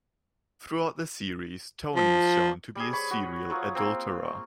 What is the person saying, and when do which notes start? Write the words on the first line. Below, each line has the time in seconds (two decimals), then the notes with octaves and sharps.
Throughout the series Tony is shown to be a serial adulterer.
1.96 F3
2.75 G3 G#4
2.93 C#5 B5
3.11 F#4
3.50 F#3 F4 D#6
3.75 A#3 C4
4.26 C#6